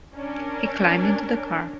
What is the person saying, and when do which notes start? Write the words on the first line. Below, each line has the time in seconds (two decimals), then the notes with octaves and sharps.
He climbed into the car.
0.16 C#4 D4 A#4